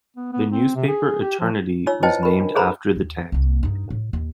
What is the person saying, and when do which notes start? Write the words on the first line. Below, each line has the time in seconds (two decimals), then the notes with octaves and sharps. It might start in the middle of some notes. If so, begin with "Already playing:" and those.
The newspaper "Eternity" was named after the tag.
0.17 B3
0.33 B3
0.52 C4
0.75 C3
0.88 G#4
1.21 G4
1.39 F3
1.87 D#4 F4 C#5 E6
2.03 E4 B4 C5 D#5 G5 A5
2.23 A#4 B5
2.40 D4
2.55 G#4 A4 B4 C5 A#5 B5
2.96 D#2
3.32 C2 A#3
3.63 G2 D#4
3.90 A2
4.13 D#2